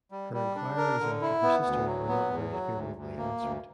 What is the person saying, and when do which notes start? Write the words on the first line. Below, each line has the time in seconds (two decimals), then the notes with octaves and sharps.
Her inquiries after her sister were not very favourably answered.
0.12 G3
0.33 G3
0.56 D4
0.77 A#4
1.00 D3
1.22 E4
1.43 B3
1.65 D2
1.87 F#3
2.09 B3
2.30 E2
2.52 F#3
2.75 D2
2.96 D2
3.18 A#3
3.40 D2